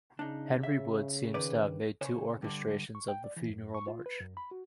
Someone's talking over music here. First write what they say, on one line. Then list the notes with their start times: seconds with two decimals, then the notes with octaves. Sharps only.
Henry Wood seems to have made two orchestrations of the Funeral March.
0.19 C#3 D4 D#4
0.63 E5
1.34 D#3 B4 D5
2.01 C#3 C5 C#5
2.42 G2 D3
2.95 C#6
3.08 G5
3.24 D5
3.37 E3
3.48 F#2
3.74 C#6
3.88 F4
4.06 B4
4.20 F#2
4.37 B5
4.51 F#4